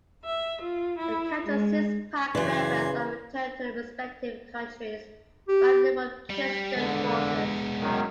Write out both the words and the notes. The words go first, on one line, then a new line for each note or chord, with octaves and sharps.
The captured Six Pack members are returned to their respective countries by Rumekistan forces.
E5
F4
E4
G#3
F#2 C#3 E3 D5 G#5 C6
G4
G3
D3 G#3 B3
F#2 D#3